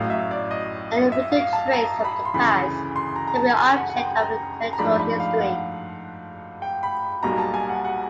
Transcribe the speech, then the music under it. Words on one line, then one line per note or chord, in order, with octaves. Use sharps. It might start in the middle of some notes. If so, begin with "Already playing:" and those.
Any written trace from the past can be the object of intellectual history.
Already playing: A1 A2 F#3 F5
E5
D5
D#5
E5
F5
A5
A#5
B5
C6
D2 C#3 E3 B5
C6
A#5
A#5
A5
G#5
F#5
F#5
G5
A#5
A#5
G#2 F3 A3 D4 B5
B5
F5
F#5
G5
B5
B1 B2 G3 A#3 A#5
A5
G#5
F#5
F#5